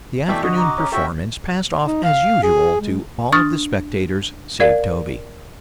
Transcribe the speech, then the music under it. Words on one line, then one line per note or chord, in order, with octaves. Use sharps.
The afternoon performance passed off as usual to all of the spectators save Toby.
B2 E3 A3 D5 E5 G5
D3 F#4 D#5
A#5 D6
C#4
C#4 F#4 A4 E5 G5 C#6
D#4
F5
G#4
G#3
D4 C#6 D#6 F6 A6
A#4 D5 F5